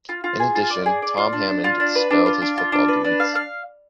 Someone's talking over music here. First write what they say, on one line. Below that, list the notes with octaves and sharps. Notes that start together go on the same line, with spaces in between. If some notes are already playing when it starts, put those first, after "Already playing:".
In addition, Tom Hammond spelled his football duties.
F4
F4
G#4
F4
D5
G#4
D5
F4
D4
D4
F4
D4
B4
D4
F4
D4
F4
D4
B4
D4
F5
F5